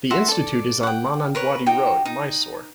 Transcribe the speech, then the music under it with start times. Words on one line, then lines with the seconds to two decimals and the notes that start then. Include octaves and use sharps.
The institute is on Manandwadi Road, Mysore.
0.10 F#4 C5 E5 A5
0.28 A4 D5
0.83 F#5 G5
1.35 A#4 B4 C#5
1.66 D#4 F#4 G4 G5
2.06 D#4